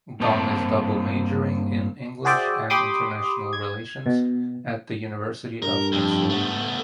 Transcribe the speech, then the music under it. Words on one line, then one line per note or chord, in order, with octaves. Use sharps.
Gong is double majoring in English and international relations at the University of Pennsylvania.
G2 A#3 C4 C5 A5
F#4 G#4 C5 D5 E5 G5
G4 B5 C6 D6 D#6
G#6
B2
G2 A#4
F2
A3 B3